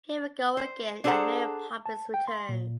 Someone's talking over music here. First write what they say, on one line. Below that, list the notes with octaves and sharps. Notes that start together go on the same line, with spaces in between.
Here We Go Again and Mary Poppins Returns.
C5
D4 G#4 A4 C5 F#5 A#5
A5
G5
C6
A#2